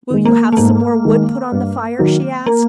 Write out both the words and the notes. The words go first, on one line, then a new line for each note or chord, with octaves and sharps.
"Will you have some more wood put on the fire?" she asked.
D#3 G#3
A#3
A3
G#2 A#3
D#3 G#3
G2
D#3 F#3
A#3